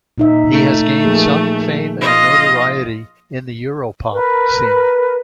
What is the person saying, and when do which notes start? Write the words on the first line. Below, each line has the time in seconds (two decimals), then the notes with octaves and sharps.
He has gained some fame and notoriety in the Europop scene.
0.18 A#2 D#4 E5
0.52 A3
1.05 F3 A#3 G#4
2.01 F4 D#5
4.12 A#4 B4